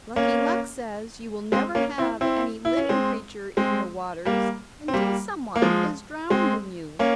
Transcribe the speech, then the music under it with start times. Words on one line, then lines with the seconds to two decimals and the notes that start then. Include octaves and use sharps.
Lucky Luck says you will never have any living creature in your waters until someone is drowned in you.'
0.16 A#3 C#4
1.52 G#3 C4
1.75 A#3 C#4
1.98 C4 E4
2.21 C4 E4
2.65 E4
2.77 C#4
2.89 G#3 C4
3.57 G#3 C4
4.25 G3 A#3
4.88 C4
4.94 G3 A#3
5.56 A#3
5.62 F3 G#3
6.30 G#3 C4
6.99 A#3 C#4